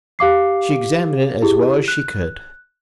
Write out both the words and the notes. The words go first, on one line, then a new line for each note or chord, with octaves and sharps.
She examined it as well as she could.
G4 F5 D6 C7
E4 G4 G#4
F#6